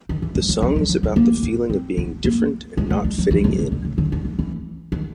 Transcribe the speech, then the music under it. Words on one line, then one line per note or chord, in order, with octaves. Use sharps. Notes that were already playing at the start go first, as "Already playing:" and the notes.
The song is about the feeling of being different and not fitting in.
D#3
E3
F3
F#3
F#3
F3
F#3
G#3
A#3
B3
C4
B3
A#3
G#3
G#3
G3
F#3
E3
D#3
C#3
D3
C#3
D3
D3
E3
E3
D#3